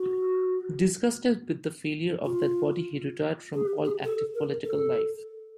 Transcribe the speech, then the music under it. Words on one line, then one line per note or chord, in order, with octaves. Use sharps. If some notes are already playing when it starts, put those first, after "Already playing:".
Disgusted with the failure of that body, he retired from all active political life.
Already playing: F#4
F4
G#4
G4
G#4
A4
A#4
A4